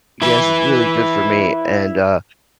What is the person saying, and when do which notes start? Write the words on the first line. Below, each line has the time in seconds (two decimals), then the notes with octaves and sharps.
Yes. It's really good for me, and, uh,
0.22 E4 B4